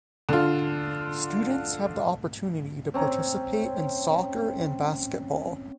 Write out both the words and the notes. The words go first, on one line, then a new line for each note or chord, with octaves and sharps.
Students have the opportunity to participate in soccer and basketball.
D3 F4
C4 C#4 A#5